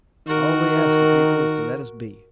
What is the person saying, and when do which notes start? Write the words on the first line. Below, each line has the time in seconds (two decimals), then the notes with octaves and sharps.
All we ask of people is to let us be.
0.27 D#3 F#4 A#4